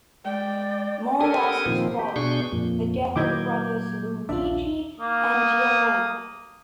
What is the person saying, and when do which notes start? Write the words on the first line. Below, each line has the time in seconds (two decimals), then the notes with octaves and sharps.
More losses followed: the death of the brothers Luigi and Giacomo.
0.25 G#3 D5 G5
1.21 G4 A4 A#4 G#5 D#6
1.66 A#2 D#3 F3 C4
1.99 G4
2.16 B2 D4 G#4 C#6 G6
2.52 F2 A#2
3.16 A#2 D#3 F#3 E4 D#5 D6 G6 G#6
4.29 A#1 D#2 D4 F4 E5
5.00 A#3 D#6